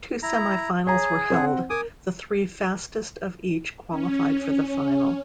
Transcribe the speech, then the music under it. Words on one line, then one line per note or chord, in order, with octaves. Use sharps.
Two semifinals were held, the three fastest of each qualified for the final.
E4 A#5
G#4 C#5 A#5
C4 C5 F#5
A#4 G#5 D6 D#6
C#4